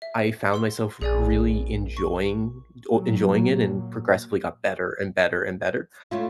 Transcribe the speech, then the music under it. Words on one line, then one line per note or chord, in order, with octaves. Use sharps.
I found myself really enjoying oh enjoying it and progressively got better and better and better,
E5
F#5 C6 E6
A#1 G#4 D5 G#5
C#6
A#2 F#3 A#3
A3 C#4 E4 F4